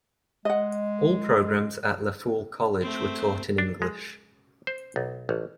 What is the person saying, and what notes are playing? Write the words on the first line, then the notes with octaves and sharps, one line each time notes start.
All programs at Lafoole College were taught in English.
G#3 D#5 F#5
A3 C4
D4
G#3
C5
B1
A1